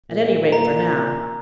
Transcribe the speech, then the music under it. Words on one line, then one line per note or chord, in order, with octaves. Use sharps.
"At any rate, for now."
A#2
A#5